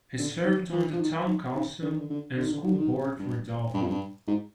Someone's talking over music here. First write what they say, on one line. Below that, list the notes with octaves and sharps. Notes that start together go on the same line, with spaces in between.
He served on the town council and school board for Dauphin.
D3
D#3
F3
F3
D#3
D#3
D#3
D3
D#3
D3
D3
D3
D#3
D3
D#3
D3
D#3
G2
G2
F2
G2
G#2